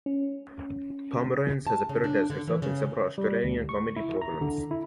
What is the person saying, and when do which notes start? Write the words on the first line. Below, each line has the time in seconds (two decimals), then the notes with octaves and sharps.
Pomeranz has appeared as herself in several Australian comedy programs.
0.06 C#4
1.67 A5
1.89 C#3
2.04 D4
2.30 D3
2.47 E3
2.62 C#3
3.18 G3
3.44 D2
3.69 C#6
3.96 E4
4.22 A#5
4.41 D3
4.71 E4